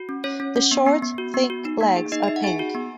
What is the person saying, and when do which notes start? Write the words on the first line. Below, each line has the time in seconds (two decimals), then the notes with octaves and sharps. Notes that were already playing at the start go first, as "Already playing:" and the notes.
The short, thick legs are pink.
Already playing: F#4
0.09 C#4
0.24 C#4 C#5
0.40 C#4
0.56 C#4
0.71 B3
0.86 B3
1.02 B3
1.18 F#4
1.34 B3
1.50 F#4
1.65 D#4
1.81 A#3
1.96 G#4
2.12 D#4 D#5
2.24 E5
2.28 D#4
2.36 F#5
2.44 G#4 G#5
2.59 F#4
2.75 B3